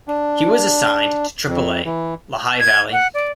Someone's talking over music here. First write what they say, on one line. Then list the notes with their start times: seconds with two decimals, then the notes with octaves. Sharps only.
He was assigned to Triple-A Lehigh Valley.
0.08 D4
1.48 F2
1.85 E3
2.60 G#6
2.92 F#5
3.14 D5